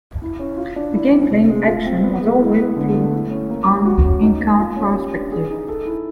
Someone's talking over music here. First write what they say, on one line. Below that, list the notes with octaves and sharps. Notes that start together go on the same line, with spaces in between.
The gameplay action was always through an in-car perspective.
E4
C#4
F4
D4
E4
C4
C3
G#3
F4
C4
B3
G#3
E4
B3
D3
A3
E4
C#4
A#3
G3
F#4
C#4
D#4
A#3
F4
C#4
G4
D4
G#4
D#4
A4
E4